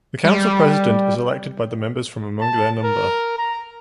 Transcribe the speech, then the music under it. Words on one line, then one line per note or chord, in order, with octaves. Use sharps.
The council president is elected by the members from among their number.
G3
A5
A#4
A#5